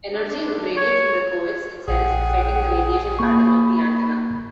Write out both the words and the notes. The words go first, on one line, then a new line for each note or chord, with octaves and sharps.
Energy would radiate from the coax itself, affecting the radiation pattern of the antenna.
D4
C#5
A#1 G#4 F#5 G5
A#3 B5 C#6